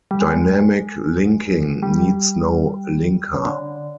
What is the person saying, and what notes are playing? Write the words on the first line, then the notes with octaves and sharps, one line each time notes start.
Dynamic linking needs no linker.
G3
G#3
G3
C#3
D3